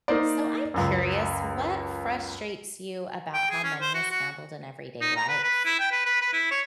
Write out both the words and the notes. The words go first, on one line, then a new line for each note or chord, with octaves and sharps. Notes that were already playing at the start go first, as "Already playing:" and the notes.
So I'm curious, what frustrates you about how money is handled in everyday life?
A#3 D#4 C5 D5
C#2 F#2
G5
G#4
C#4
C5
F#4
F#4
D#4
A#5
B4
B4
E4
G5
B4
B4
B4
E4
C#5